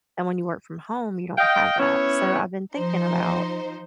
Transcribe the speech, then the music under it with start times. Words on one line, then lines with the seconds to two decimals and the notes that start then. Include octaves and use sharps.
and when you work from home, you don't have that, so I've been thinking about
1.38 D#5 F5 G5
1.78 B3 C#4 E4 C#5
2.75 F3 D#4 C5